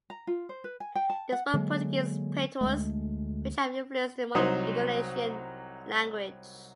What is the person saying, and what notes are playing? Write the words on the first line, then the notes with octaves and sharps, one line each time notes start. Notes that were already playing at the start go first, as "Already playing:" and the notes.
They spoke a Portuguese patois, which have influenced the modern Indonesian language.
A#5
F4
C5
B4
G#5
G5
A5
F#5
D3 F#3 G#3 A#3
D2 G#3 A3
C2 F#3 D#4 C5 D#6